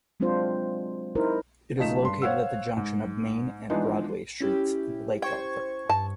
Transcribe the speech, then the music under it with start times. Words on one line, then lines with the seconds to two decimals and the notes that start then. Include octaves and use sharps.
It is located at the junction of Main and Broadway Streets in Lake Arthur.
0.20 F#3 G#3 C4 D4 F4 C5
1.15 D#4 E4 A#4 C5
1.78 C#3 F3 A3 D#4 B6 E7
2.02 G2 C6
2.22 C5 C#5 F5 F#5 E6
2.77 G#2
3.70 E3 F3 G#3 B3 D4 D#4
4.41 C#4 E4 G4
5.22 C5 G5 C#6 G#6
5.90 G2 A5